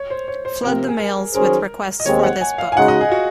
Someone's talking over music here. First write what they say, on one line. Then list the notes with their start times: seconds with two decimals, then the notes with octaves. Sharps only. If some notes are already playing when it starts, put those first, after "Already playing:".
Flood the mails with requests for this book.
Already playing: C#5
0.10 C5
0.28 C#5
0.45 C5
0.63 C3 F3 C4 A#4
0.88 G#4
0.99 A#4
1.34 D#3 F#3 C#4 G#4 A#4 C5
2.00 D#5
2.06 D#2 D#3 G#3 C4 C#5
2.23 F#5
2.41 G#5
2.58 F5
2.72 G#5
2.77 C#3 G#3 D#4 F#4 F#5
2.88 D#5
3.01 G#4
3.08 F4
3.12 F#4